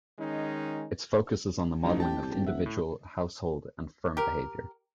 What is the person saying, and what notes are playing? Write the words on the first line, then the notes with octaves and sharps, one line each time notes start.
Its focus is on the modelling of individual, household and firm behaviour.
D#3 G#3 C#4 D#4
A1 F3 F#3 D#4
G4 G5 A5
C2
D#1
E5 F#5
A2
G4 A#4